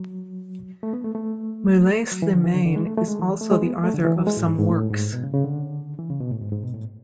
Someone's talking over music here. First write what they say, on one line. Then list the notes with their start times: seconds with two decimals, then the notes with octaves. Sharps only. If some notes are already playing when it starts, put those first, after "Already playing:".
Mulay Slimane is also the author of some works.
Already playing: F#3
0.83 A3
0.93 B3
1.04 A3
1.15 A3
2.12 F#3
2.22 E3
2.34 D3
2.44 E3
2.54 D3
2.65 D3
2.76 G#3
2.86 A3
2.97 A3
3.08 G#3
3.19 E3
3.41 A3
3.51 G#3
3.62 B3
3.84 A3
3.94 D3
4.05 E3
4.16 F#3
4.27 G#3
4.37 A2
4.48 G#2
4.59 G#2
4.69 A2
4.91 G#2
5.13 B2
5.24 C#3
5.34 C#3
5.44 D3
5.98 E3
6.10 C#3
6.20 B2
6.31 A2
6.42 G#2
6.52 G#2
6.64 B2
6.74 A2